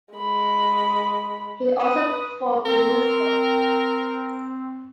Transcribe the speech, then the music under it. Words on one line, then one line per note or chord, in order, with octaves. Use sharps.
He also performed in musicals.
G#3 B5
B4 D#6
C4 A#4